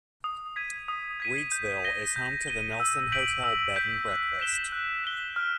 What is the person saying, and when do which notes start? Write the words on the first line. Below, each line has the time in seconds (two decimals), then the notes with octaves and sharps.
Reidsville is home to the Nelson Hotel Bed and Breakfast.
0.24 D#6
0.56 G#6 B6 D#7
0.88 D#6
1.20 G#6 B6 D#7
1.52 G6
1.84 A#6 D#7 G7
2.16 G6
2.48 A#6 D#7 G7
2.80 E6
3.12 G6 B6 D7 F#7
3.44 E6
3.76 G6 B6 D7 F#7
4.08 F#6
4.40 B6 E7 G7
4.72 F#6
5.04 B6 E7 G7
5.36 F6